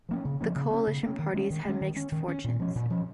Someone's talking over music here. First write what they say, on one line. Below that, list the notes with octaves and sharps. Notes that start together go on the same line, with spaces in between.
The coalition parties had mixed fortunes.
F3 A#3 C#4
C#3
F3 A#3 C#4
C#3
A#3 C#4
C#3
A#3 C#4
D#3
G#3 C#4
D#3
G#3 C#4
D#3
C#4
D#3
C#4
A#2
F3 C#4
A#2
F3 C#4